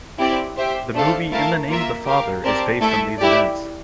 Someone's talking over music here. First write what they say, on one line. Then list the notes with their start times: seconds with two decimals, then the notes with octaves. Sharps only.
The movie "In the Name of the Father" is based on these events.
0.19 C4 E4 G4 D5
0.56 G4 C5 E5 G5
0.94 A3 D4 A4 C5 F5
1.31 A3 E4 A#4 F5 A5
1.68 A#3 F4 A#4 E5
2.06 G4 A#4 F5
2.44 C4 G4 A#4 D5 A5
2.81 A3 E4 A4 E5
3.19 E4 G4 D5